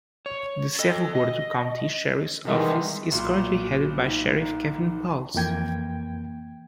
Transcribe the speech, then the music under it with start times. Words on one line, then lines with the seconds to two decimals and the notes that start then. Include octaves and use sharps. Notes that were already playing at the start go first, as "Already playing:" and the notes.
The Cerro Gordo County Sheriff's Office is currently headed by Sheriff Kevin Pals.
0.26 C#5
0.79 A4 D#5
1.15 D#5
2.45 C3 D#3 E3 G3 G#3 E5
3.11 B1 A#2 F#4 C6
4.04 D#4
5.34 F2 E3 A#3 G5 G#6